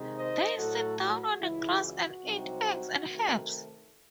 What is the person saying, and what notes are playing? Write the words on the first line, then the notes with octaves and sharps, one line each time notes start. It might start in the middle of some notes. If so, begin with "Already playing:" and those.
They sit down on the grass and eat eggs and herbs.
Already playing: C3 D#3 G#3 D#4
C5 D#5
A2 F#3 A3 F#4 A4
F#4
C#2 C#3 E3 G#3 E4
F#4
C2 C3 F#3 C4 D#4
C3 D#3 A3